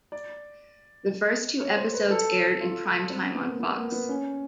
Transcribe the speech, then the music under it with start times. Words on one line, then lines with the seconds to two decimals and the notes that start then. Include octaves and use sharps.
The first two episodes aired in primetime on Fox.
0.12 D5
1.60 C#5
1.77 C5
1.94 B4
2.10 A4
2.60 F4
3.10 C4
3.35 B3
3.49 A#3
3.60 B3
3.76 A#3
3.92 B3
4.09 C#4